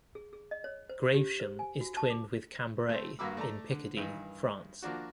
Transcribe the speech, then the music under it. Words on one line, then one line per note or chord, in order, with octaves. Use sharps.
Gravesham is twinned with Cambrai in Picardy, France.
G#4
G#4
D#5
C#5
C5
G4
C5
G#5
F#4
A5
D6
A3 C4
G2 A#3 F#4 B5 D6 E6
A3 D5 A5 A#5
D3
G2 D#3 E3
F3 A#3 D4 F#4